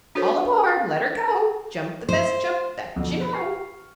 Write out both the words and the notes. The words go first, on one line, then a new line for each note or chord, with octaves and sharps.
"All aboard! let 'er go! Jump the best jump that you know."
D4 F#4 A4 A#4 C5 C#5
C5
F2 B2 D3 F3
C#6 F6 C7